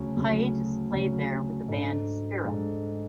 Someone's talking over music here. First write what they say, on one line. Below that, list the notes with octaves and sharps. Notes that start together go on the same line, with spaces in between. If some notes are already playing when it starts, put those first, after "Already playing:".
Hiatus played there with the band Speereth.
Already playing: D2 C#3 F#3 C#4
D2 C#3 F#3 C#4
D2 C#3 F#3 C#4
G#2 G#3 D4 A4
G#2 G#3 D4 A4